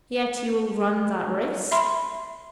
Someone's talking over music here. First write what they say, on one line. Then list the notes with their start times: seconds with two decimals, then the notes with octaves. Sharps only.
"Yet you will run that risk?"
1.72 E5 B5 C6